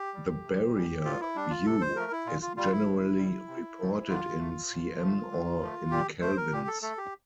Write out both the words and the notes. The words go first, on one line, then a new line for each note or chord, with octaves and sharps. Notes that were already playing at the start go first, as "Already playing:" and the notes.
The barrier "U" is generally reported in cm or in kelvins.
Already playing: G4
G3
C3
E3 G3
A2 F4
E4
G3 D4
F4
C3 A4
C5
F3 A3 A#4
E4
A#2 F4
F4
G3 F4
E4
A2
G3
C3
F3 A3
D3 F4
A3
A2
F3 A3
D3
F3 A3
A#2 G4
A3 C5
A#4
A#2 G4
A4
A3 A4
G4